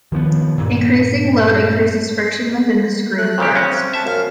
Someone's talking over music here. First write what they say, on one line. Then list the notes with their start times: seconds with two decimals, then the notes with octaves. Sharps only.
Increasing load increases friction within the screw threads.
0.12 D#3 F3 G#3 B3
0.58 G2 A#2
3.17 A3 F#6
3.38 A#2 C#3 C4 G4
3.56 C#4
3.94 E5 A5
4.05 F#2 F5